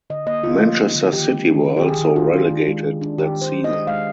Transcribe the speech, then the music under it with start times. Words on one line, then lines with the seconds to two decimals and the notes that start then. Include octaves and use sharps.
Manchester City were also relegated that season.
0.10 D3 D#5
0.26 A#3 D#5
0.43 D3 F4
0.61 F3
0.78 A#3
0.95 D3
1.13 D#3 G4
1.29 G#3
1.47 D#3
1.65 D#3
1.77 G4
1.82 D#3 G#4
1.99 D#3
2.16 D#3 F4
2.34 D4
2.50 D#3
2.68 G#3
2.84 D#3
3.01 D4
3.18 D#3 G4
3.36 D4
3.41 C5
3.54 D4
3.64 D#5
3.70 G#3
3.87 G#3 F5